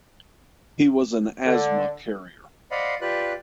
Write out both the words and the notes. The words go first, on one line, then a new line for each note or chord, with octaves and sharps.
He was an asthma carrier.
D3
C5 D5 D#5 F5 F#5 B5
F4 G4 B4 D5 F#6